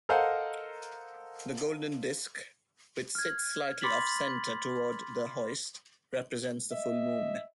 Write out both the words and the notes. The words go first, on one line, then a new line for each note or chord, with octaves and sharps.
The golden disk, which sits slightly off-centre toward the hoist, represents the full moon.
A4 A#4 C5 D#5 F5 F#5
F6 G#6
B5 C6 D6 A6 B6 F#7
D#5 E5